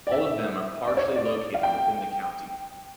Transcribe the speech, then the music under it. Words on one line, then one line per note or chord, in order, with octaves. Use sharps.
All of them are partially located within the county.
D5
E5
D5
C#5
D5
F5
G5